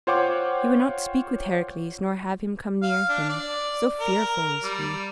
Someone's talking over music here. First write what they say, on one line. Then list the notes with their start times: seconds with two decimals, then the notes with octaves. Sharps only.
He would not speak with Heracles nor have him come near him, so fearful was he.
0.07 F4 C5 C#5 F#5 G5 D6
2.82 F5
3.09 D4
3.30 D5
4.00 A#4
4.64 G3